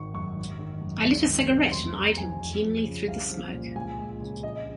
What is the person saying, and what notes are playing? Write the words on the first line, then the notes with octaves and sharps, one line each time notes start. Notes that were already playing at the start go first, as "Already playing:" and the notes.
I lit a cigarette, and eyed him keenly through the smoke.
Already playing: G#1 D#3 C#6
F#2 C#6
G#1
D#3
F#2
C#2
D#3
C3
F1 C6
C3 A#5
F2 G#5
F2
F3
C#3
C2 F5
F3
A#2
C#2 G#5
G#3
C#3
A#1 D#5